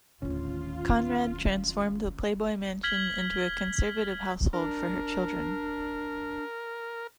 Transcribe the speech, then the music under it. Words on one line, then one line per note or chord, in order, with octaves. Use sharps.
Conrad transformed the Playboy Mansion into a conservative household for her children.
D#2 A2 D3 D#3 C#4 F4
F6 G#6 B6 F#7 G7
D4 A#4